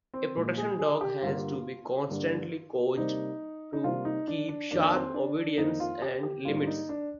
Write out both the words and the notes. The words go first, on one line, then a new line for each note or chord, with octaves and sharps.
A protection dog has to be constantly coached to keep sharp obedience and limits.
C4
A#2 G#3
G#4
G#4
G4
G2 D3 G3 A#3 F4
G2 D3 G3 A#3
C3 G3 A#3 D#4
D#4
C3 G3 A#3 F4
D#4
D4
D4
F2 D#3 A#3 D4
C4
D4
D4
F2 D#3 A#3 D#4
F4
G4
G4
G#2 G3 A#3 F4
D4
D#4
D4